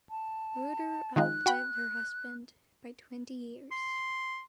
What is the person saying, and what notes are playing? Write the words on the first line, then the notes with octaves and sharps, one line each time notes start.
Reuter outlived her husband by twenty years.
A5
D#3 F3 G#3 F#6
F#4 G5 B5
C6